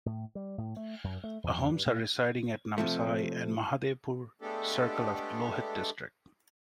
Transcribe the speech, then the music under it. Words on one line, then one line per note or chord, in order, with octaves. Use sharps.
Ahoms are residing at Namsai and Mahadevpur circle of Lohit district.
A2
G3
A2
A3
F#2
A3
E2
G2
A#2
C3 F3 A3
G#3 A3 B3 D4 G4 A4